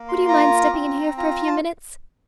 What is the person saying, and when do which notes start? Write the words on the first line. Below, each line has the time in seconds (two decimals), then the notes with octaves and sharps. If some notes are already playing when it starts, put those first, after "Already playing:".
Would you mind stepping in here for a few minutes?
Already playing: A#3
0.09 C6
0.28 F4 A#5
0.72 C4
1.17 F4 A#5
1.47 A5